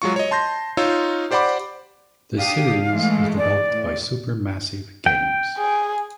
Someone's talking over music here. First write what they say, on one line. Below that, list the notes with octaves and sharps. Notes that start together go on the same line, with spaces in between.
The series is developed by Supermassive Games.
F#3 G#3 F4 C#6
C#5 D#5
A5 C6 G6 A#6
D#4 F4 C#5 E6
G4 C5 D5 F#5 B5 D6
D4 G4 F5 D#6
E3 G#3 A3
D5
A2
G5
G#4